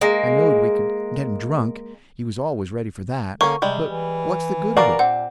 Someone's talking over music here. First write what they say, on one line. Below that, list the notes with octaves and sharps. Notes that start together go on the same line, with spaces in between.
I knowed we could get him drunk--he was always ready for that--but what's the good of it?
G#3 A#3
D3 A#3 C#4 C#6
C3 G3 G#3
E3
F#4 A#4 D5 F5
A#2 C4 F#5